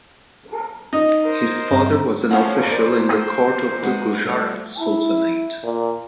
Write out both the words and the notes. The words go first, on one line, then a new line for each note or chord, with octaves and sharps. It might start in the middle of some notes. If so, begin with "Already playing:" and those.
His father was an official in the court of the Gujarat Sultanate.
D#4
A#4 C5
G2 C4 A#5
F3 C#4 C5 F5 F#5
A#2 F3 A#4 C5 D5
G#3 F#4 B4
F3 G3 A3
E4
A#2